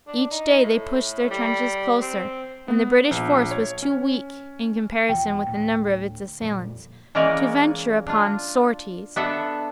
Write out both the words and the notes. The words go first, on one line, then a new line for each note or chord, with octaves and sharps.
Each day they pushed their trenches closer, and the British force was too weak, in comparison with the number of its assailants, to venture upon sorties.
D4
D#4
A2
G3
C4
B3
A#1
C#5
C#4
E2 B2 F3 G5
D2 A2
F2 A#2 G3
E3 G#3 A#3 C#4 A#4 D5
D4 F4
B3 D4 A4 E5 F#5